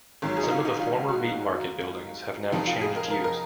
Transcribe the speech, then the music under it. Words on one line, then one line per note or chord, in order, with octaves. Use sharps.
Some of the former meat market buildings have now changed use.
G#1 G#2 F#3
G#4
D#4
F4
D#4
F4
F#4
F1 F2 F3 D#4
F4
G#4
A#4
A#4
A#4